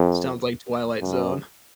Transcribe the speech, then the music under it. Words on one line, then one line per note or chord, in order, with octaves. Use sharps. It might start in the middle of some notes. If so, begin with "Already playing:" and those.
Sounds like Twilight Zone.
Already playing: F2
F#2